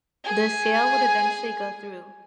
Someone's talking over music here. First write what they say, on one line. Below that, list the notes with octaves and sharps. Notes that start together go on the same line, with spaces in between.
The sale would eventually go through.
G#4 G#5